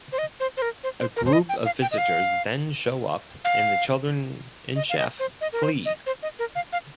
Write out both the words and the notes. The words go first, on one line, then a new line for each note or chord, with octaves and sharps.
A group of Visitors then show up, and the children and Chef flee.
C5
D#5
C5
C5
A#4
C5
C5
A#4
C5
D#5
G5
F5
G5
D#5
F5
F5
D#5
F5
D#5
C5
D#5
A#4
C5
D#5
C5
D#5
A#4
F5
F5